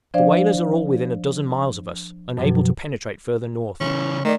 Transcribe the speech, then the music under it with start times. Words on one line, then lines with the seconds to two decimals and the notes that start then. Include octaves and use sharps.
The whalers are all within a dozen miles of us, unable to penetrate further north.
0.14 F3 D4 C5 D5 F5
2.37 F#2 B2 F3 F#3
3.81 C#3 E3 C#4
4.25 D#3 A3 D5